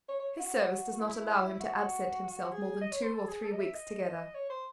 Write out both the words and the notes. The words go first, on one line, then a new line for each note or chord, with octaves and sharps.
"His service does not allow him to absent himself more than two or three weeks together."
C#5
C#5
F#4
E4
F#4
G#4
D#5
C#5
C5
A4
G#4
A4
D#5
E5
D#5
C#5
C5